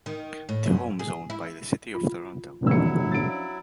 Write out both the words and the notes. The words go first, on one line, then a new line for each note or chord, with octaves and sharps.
The home is owned by the City of Toronto.
D#3
A2
F#2
G#4
E4
F4
D3 D#3 F#3 G3 E4 E6 C#7
F3 C#4 D4 A6 D7